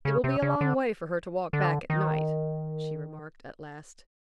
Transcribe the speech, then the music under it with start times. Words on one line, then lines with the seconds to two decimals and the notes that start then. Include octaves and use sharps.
'It will be a long way for her to walk back at night!' she remarked, at last.
0.05 C#3
0.24 C3
0.42 C#3
0.61 D3
1.53 D3
1.90 D#3